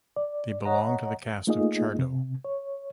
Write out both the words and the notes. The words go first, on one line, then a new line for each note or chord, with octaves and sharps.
They belong to the caste of Chardo.
D5
C#5 D#5 F#5 A#5
A3 A#3 D#4 F4 G#4 D#5
C3
C#5